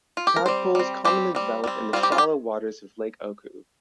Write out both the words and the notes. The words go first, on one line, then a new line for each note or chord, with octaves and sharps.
Tadpoles commonly develop in the shallow waters of Lake Oku.
F4
G4
A#4
G3 C4 C5
G3 C4
G3 C4 G4
G3 C4
G3 C4
G3 C4 F4
G4
F4
G4